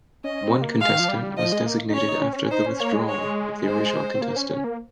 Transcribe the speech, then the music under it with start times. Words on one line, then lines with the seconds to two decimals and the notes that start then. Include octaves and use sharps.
One contestant was designated after the withdrawal of the original contestant.
0.24 C#4 D#5
0.43 C4
0.62 A#3
0.80 G#3 F5
0.90 D#3
1.00 F3
1.08 G3
1.37 F3 D#5
1.52 G#3
1.66 A#3
1.90 D#4
1.94 C#4 C#5
2.08 D#4
2.22 C#4
2.33 C4
2.36 C#4
2.51 D#4 C5
2.66 C#4
2.79 A#3 C#5
2.93 G#3
3.08 C#5
3.65 C5
4.15 C4
4.21 A#3
4.36 C#4
4.50 C#4
4.64 A#3